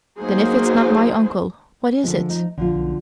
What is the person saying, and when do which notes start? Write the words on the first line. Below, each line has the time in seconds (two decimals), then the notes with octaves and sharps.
"Then if it's not my uncle, what is it?"
0.19 F#3 A#3 D#4 G#4 C5
2.04 D3 F3 G#3
2.30 D#4
2.58 A#1 D3 F3 F4
2.75 B1